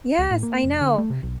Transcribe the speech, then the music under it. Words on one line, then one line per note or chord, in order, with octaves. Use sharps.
Yes, I know,
C#2
A2
A#3
F1
D3
A3
C3
B1